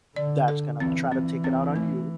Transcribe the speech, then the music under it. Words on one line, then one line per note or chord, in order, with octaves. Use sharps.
that's gonna try to take it out on you
D3 D5
A4
E3 C4
E3 C4
C4
A3